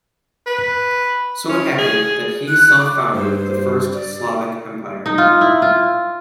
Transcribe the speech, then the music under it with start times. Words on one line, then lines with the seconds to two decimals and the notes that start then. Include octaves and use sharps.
So it happened that he self-founded the first Slavic empire.
0.46 B4
1.49 C#4
1.78 G#4
2.48 F#6
2.80 D6
3.13 G2 C5
3.94 D5
5.06 D#4
5.18 F4
5.41 E4
5.62 F4